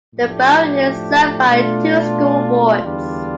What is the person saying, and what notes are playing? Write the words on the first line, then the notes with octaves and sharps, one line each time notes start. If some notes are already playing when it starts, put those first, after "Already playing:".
The Borough is served by two school boards.
A2 F3 A3 D4 G4
B2 A3 D4 F4
E2 D3 G3 D4 F4